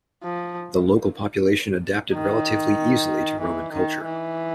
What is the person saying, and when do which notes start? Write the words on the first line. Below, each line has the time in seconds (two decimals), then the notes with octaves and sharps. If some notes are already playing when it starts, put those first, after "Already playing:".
The local population adapted relatively easily to Roman culture.
0.23 F3
2.13 D#3
3.40 E3
3.73 D#3
4.05 E3